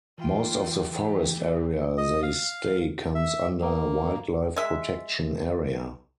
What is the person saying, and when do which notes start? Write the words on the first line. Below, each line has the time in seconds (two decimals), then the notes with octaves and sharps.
Most of the forest area they stay comes under wild life protection area.
0.18 E3 F4 G5
1.00 G4
1.98 D#5
2.23 F5
3.15 E5
3.61 A#3
4.56 G#3 E5